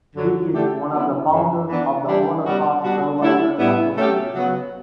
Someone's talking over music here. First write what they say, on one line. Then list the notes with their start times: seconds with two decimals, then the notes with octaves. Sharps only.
He is one of the founders of the Holocaust Survivor Association.
0.15 F#2 D3 F#3
0.53 D3 A3 D4 G4
0.91 F#3 B3 E4
1.29 F#2 C#3 E3
1.68 E3 B3 D4
2.06 E3 G3 D4 G4
2.44 B2 G3 C#4 F#4
2.82 B2 G3 D4 F#4
3.20 F#3 A3 E4 G4
3.58 A2 G3 B3 E4
3.97 F#3 A3 C#4 G4
4.35 C#3 F#3 B3 F#4